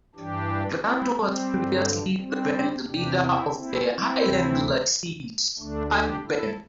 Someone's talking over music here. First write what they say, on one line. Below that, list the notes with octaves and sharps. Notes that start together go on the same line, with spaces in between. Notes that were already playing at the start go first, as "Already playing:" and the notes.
Grant was previously the band leader of "The Highland Lassies" pipe band.
G2 E3 D4 G4
C4 E4
G3 C4
G2 D3
G3 C4
E2 C3 E3 D4 G4
C4 E4
C4 E4
C4 E4
D2 C3 E3
D2 D3 A3 D4
D4 G4
E4 A4